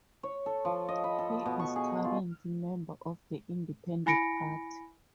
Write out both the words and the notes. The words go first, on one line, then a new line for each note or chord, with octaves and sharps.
He is current member of the Independent Party.
C#5
A4
F3
D#5
B5
A4
B2
C#6
G#4
F4
E4 G#5 B5 A#6 C#7 D7